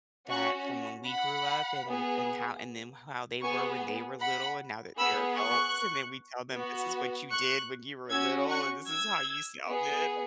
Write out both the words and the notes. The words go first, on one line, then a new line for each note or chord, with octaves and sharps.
that from when we grew up and and how and then how they were when they were little and now that they're adults, and then we tell them, "This is what you did when you were little, and this is how you sounded."
C#4 F#4 C#6 F#6
F#5 B5
B3 G#4
B3 G#4 G#5 C#6
F#5 B5
B3 G#4 B5 E6
C#6 F#6
B3 F#4
C#6 F#6
C#4 F#4 E6 G#6
C#6 F#6
E6 G#6
B3 G#4